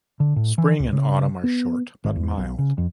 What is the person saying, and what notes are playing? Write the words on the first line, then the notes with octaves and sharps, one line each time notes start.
Spring and autumn are short but mild.
D3
A2
E3
C#2
C#3
B3
G#1
E2
B1
C#3
F2